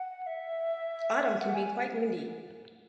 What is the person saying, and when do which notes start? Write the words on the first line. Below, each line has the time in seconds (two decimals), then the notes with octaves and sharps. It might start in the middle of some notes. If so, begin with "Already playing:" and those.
Autumn can be quite windy.
Already playing: F#5
0.26 E5
1.41 F#5
1.55 G#5